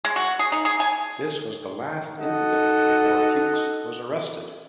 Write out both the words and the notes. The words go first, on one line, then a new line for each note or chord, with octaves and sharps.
This was the last incident before Fuchs was arrested.
G#3
F#4
G#4
D#4
G#4
G#5
D#4 F#4 A4 D#5 F#5